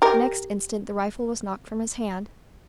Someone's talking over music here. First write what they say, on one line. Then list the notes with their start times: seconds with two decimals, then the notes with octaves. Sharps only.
The next instant, the rifle was knocked from his hand.
0.02 G4 A#4